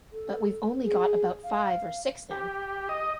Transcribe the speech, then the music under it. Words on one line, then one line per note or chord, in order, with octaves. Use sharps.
But we’ve only got about five or six now.
A4
G#4
F5
G4
D#5